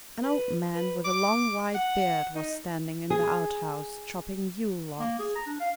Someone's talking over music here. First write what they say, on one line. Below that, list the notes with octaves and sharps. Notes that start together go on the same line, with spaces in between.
An old man with a long white beard was standing in the outhouse, chopping Yule logs.
B4
B4
D6
F#5
D#4
G#4
A#3
G#4
A#5
D4
F5